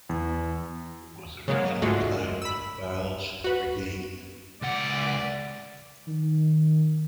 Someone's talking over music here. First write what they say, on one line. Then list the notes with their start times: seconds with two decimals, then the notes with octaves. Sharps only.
It was originally titled, "Valis Regained".
0.09 E2
1.48 C#3 F#3 G#3 A#3
1.82 G#2 D3 G#3 A3 F4 F#4
2.42 B5 E6
3.44 F#4 B4
4.62 C#2 D5 F#5
6.07 D#3